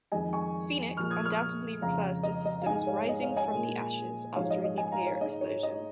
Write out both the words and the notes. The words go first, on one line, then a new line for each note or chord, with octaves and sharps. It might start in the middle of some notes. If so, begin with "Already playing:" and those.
"Phoenix" undoubtedly refers to systems "rising from the ashes" after a nuclear explosion.
F2 D#3 G#3 D#5 G#5
G#5 C#6
A#2 F3 G#3 C#6 F6
D#6 G#6
C#6 F6
F2 C#3 G#3 F5 A#5
D#5
D#5
F5
G#2 G#3 D#5 G#5
C#5 F5
D#5
C#5 F5
D#5 G#5
A#2 G#3
G#2 F3 G#3 C#5 F5
D#5
D#5
D#5 G#5
F5 A#5
C#5 F5
G#2 G#3 D#5
C#5
D#5